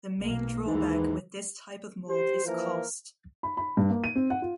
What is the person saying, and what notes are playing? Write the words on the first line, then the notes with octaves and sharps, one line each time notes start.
The main drawback with this type of mold is cost.
B1 A#3
D#2 G#2 E3
G4 C5
E3 F3 A#3 A#4
B5
B5
G2
A#3
D#7
C4
F#5
F4